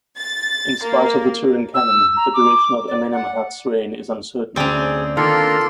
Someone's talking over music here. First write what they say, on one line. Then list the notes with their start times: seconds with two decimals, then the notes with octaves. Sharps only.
In spite of the Turin canon, the duration of Amenemhat's reign is uncertain.
0.16 A6
0.82 A#3
1.74 E6
2.16 A#5
2.34 D6
2.87 D5
3.12 F#5
4.56 D2 C4 C#4 G#4 D5
5.17 D#3 A#3 D4 F4 A4 A#4 C6